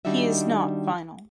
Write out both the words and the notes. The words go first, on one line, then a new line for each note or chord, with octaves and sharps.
He is not final.
D#3 G3 D4 D#4 F#4 E5